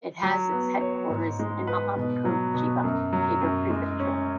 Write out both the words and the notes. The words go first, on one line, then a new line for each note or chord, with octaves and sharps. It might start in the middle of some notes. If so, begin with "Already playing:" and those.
It has its headquarters in Mihama-ku, Chiba, Chiba Prefecture.
F#3
B3
C#5
G#2
G#3
B4
B2
F#3
B2
F#2
F#3
F#2
G#3
C#4